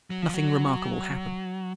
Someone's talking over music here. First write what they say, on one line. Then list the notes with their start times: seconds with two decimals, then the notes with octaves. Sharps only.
Nothing remarkable hapened.
0.10 F#3
0.22 F3
0.34 F#3